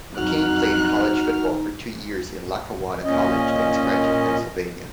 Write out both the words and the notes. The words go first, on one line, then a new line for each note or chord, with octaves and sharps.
McKinnie played college football for two years at Lackawanna College in Scranton, Pennsylvania.
F2 F#3 D#4 F#4 F6 F#6
A#2 C#4 D#5